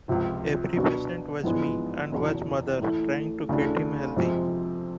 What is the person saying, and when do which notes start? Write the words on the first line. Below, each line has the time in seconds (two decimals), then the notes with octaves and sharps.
Every patient was me, and was mother, trying to get him healthy.
0.08 C#2 C3 F3
0.76 B2 F#3 B3 D4
1.44 A#1 G#2 E3 G#3 B3
2.12 F#1 E2 B2
2.79 A2 E3 A3
3.49 D2 C#3 E3 A3 D4
4.16 F2 C3 F3 G#3 C4